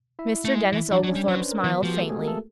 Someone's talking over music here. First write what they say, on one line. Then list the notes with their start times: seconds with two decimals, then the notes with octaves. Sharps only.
Mr. Denis Oglethorpe smiled faintly.
0.19 E4 E5
0.45 A3
0.55 G#3
0.73 E3
0.91 F3 D4 D5
1.04 F#3
1.09 C#4 C#5
1.15 G3
1.27 F#3 C5
1.40 B4
1.51 A#4
1.63 E3 B3 B4
1.78 F#4
1.83 F3 G4
1.93 G#4
2.00 A3 A4
2.09 G#3 G#4
2.19 A#3 A#4
2.28 A3 A4